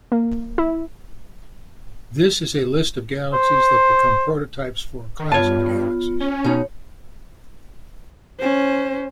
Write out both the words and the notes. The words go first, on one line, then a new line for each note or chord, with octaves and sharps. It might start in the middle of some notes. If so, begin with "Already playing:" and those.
This is a list of galaxies that became prototypes for a class of galaxies.
A#3
E4
C5
D#3
G2 B3 F4 C#5 A5
C#4
B2 D#4 C#5
C#4 C5